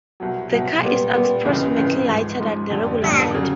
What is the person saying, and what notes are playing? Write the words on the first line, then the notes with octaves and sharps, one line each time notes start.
The car is approximately lighter than the regular model.
C2 B2 F#3
C2 B2 F#3
A#2 G3 B3
A#2 G3 B3
C#2 C#3 E3 G#3
C#2 C#3 E3 G#3
G#1 G#2 F3
G#1 G#2 F3
F2 D3 G3
F2 D3 G3
C#3 F#3